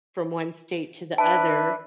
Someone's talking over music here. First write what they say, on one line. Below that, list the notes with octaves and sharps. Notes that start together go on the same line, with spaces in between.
from one state to the other,
D4 B4 E5 A5